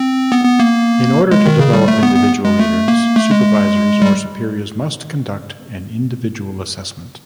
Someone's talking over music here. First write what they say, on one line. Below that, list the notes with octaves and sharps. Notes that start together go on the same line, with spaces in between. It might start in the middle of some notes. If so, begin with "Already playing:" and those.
In order to develop individual leaders, supervisors or superiors must conduct an individual assessment.
Already playing: C4
B3
B3
A#3
G#3
D#3
C#3
G3
A3
B3
B3
G#3
A3
A#3
A3
G#3
G3